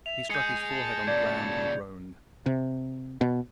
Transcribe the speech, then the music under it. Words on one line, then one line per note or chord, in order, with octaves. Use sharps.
He struck his forehead on the ground and groaned.
E5 F7
G#4 D#5 G#5 G6 C#7
A5
A#2 C#3 D5 G#6
C3
B2